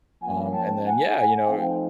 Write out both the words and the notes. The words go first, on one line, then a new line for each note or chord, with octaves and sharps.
Um, and then yeah, you know,
F3 A#3 C#4 F#5 G#5
G5 A5
F#5 G#5
F#5 G#5
F3 A3 C4 D#4 F5 G5